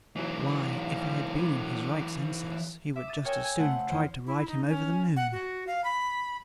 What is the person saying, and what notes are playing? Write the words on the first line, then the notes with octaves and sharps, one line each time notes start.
Why, if he had been in his right senses he would just as soon have tried to ride him over the moon.
E3 F#3
E5 D6
D#6 A6
A#4 C#5 G5 G#5 D#6 E6
G#5
C#3 A3 C5 F#5
E2 C5
E4
D#4
C#4
F#5
F#4
F5
B5